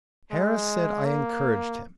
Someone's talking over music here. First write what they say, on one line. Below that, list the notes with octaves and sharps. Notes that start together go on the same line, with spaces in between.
Harris said I encouraged him.
G#3
A#3